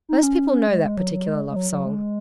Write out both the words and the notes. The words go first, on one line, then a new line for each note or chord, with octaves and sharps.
Most people know that particular love-song.
D#4
C#4
G#3
G#3
F#3
F#3
G#3
G#3
F#3
F#3
G#3